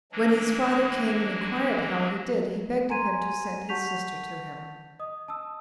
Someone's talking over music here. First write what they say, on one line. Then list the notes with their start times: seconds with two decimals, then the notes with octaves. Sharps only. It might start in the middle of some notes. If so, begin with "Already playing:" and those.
When his father came, and inquired how he did, he begged of him to send his sister to him.
0.12 E3 F#3 G#3 A#3 C#4 D4
2.90 G#5 A#5 C6 G#6 D#7
3.69 F#5 A5 C#6 G6 B6 F7
4.99 D#5 D#6
5.28 A5 D#6 E6